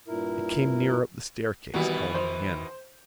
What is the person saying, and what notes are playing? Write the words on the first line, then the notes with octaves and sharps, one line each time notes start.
It came nearer up the staircase, calling again.
G2 A#2 E4 A#4
B2 D#3 E3 G3 B3 F#4
C5